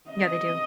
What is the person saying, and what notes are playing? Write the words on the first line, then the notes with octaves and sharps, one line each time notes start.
Yeah they do.
D#5